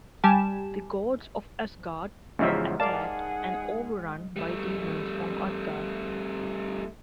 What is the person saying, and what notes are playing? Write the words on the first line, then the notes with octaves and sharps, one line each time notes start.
The gods of Asgard were attacked and overrun by demons from Utgard.
G3 G4 G#5 A5 E7
E2 G#2 C#3 F3 D#4 G4 E5 F6
G#4 A#4 D5 F5 F#5 A5
G3 A3